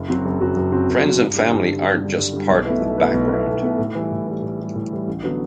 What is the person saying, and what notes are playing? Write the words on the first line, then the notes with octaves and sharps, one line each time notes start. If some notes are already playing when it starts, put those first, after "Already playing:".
Friends and family aren’t just part of the background.
Already playing: F#1
F#2 F#3 C4 F#4
F#1
F#2 F#3 C4 F#4
F#1
F#2 F#3 C4 F#4
F#1
F#2 F#3 C4 F#4
G2
D3 G3
G2
D3 G3
G2
D3 G3
G2
D3 G3
B1
B2 A3 E4 B4
B1
B2 A3 E4 B4
B1
B2 A3 E4 B4
B1
B2 A3 E4 B4
A2
E3 G3
A2
E3 G3
A2
E3 G3
A2
E3 G3
A1
D3 F#3 B3